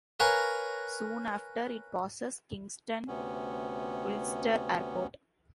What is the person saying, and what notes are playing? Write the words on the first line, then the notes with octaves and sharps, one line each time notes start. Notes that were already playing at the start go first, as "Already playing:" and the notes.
Soon after, it passes Kingston-Ulster Airport.
A#4 B4 C#5 F5 G#5 A#5
D2 C3 B3 C#4